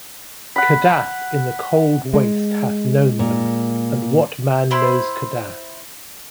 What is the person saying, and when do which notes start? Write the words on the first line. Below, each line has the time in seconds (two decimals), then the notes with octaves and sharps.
Kadath in the cold waste hath known Them, and what man knows Kadath?
0.56 F#5 B5
2.14 G#3
3.19 A#2
4.71 E4 C5 B5 C6